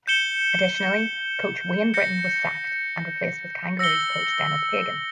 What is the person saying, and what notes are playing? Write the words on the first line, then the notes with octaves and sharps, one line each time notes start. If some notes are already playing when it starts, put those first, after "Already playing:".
Additionally, coach Wayne Brittain was sacked, and replaced with Kangaroos coach Denis Pagan.
G6 C#7 E7 G7
G6 A#6 C#7
E6 A#6 C#7 G7